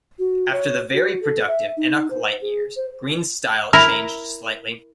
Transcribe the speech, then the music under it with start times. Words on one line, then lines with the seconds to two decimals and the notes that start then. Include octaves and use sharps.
After the very productive Enoch Light years, Green's style changed slightly.
0.19 F#4
0.52 C#5
0.93 F#4
1.22 A4
1.47 E5
1.77 D#4
2.11 C5
2.42 G#4
2.76 C5
3.73 E4 A#4